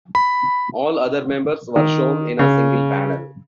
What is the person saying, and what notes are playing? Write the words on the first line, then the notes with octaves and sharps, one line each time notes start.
All other members were shown in a single panel.
B5
D#3
C#3